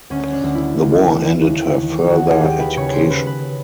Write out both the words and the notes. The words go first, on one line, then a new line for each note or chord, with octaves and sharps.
The war ended her further education.
D2 C#4
D4
D2
E4
D2
E3
D#2
D#2
D#2 F#4
G#4
D#2 G4
B4
C#3 C#5
C5
C#3 B4
B4